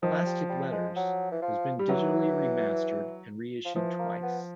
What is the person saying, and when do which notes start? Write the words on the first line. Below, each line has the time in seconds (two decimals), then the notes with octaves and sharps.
"Plastic Letters" has been digitally remastered and re-issued twice.
0.03 D#3 F3
0.26 G3
0.49 G3
0.72 G#3
0.96 F#3
1.32 E3
1.42 F3
1.79 G3
1.89 E3 F#3
3.65 F3
3.75 E3 F3
3.99 A#3
4.22 B3